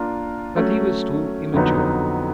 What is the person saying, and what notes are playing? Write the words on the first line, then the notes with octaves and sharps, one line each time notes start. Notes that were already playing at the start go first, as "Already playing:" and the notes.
But he was still immature.
Already playing: A#3 D4 F4 A#4
F#3 A3 C#4
F2 D3 F#3 B3 D#4